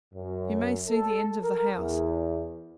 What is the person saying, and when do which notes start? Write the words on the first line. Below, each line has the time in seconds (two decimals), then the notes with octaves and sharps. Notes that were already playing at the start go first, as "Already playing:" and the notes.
You may see the end of the house.
0.13 F#2
0.88 A4
1.41 A#4
1.76 E2